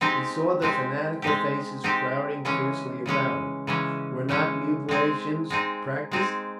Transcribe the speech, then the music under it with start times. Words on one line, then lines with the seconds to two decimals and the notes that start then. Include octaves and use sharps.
He saw the fanatical faces crowding fiercely about him ... were not mutilations practised?...
0.01 G#3 C4 D#4 G4
0.62 G#3 C4 D#4 G4
1.22 G#3 C4 D#4 G4
1.84 G#3 C4 D#4 G4
2.45 C#3 E3 G#3 C#4
3.06 C#3 E3 G#3 C#4
3.67 C#3 E3 G#3 C#4
4.29 C#3 E3 G#3 C#4
4.89 G#3 C4 D#4 G#4
5.50 G#3 C4 D#4 G#4
6.11 G#3 C4 D#4 G#4